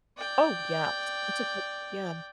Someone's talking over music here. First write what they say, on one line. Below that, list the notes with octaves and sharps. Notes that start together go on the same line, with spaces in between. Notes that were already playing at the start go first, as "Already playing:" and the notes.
Oh, yeah. S It's okay. Yeah.
D5 G5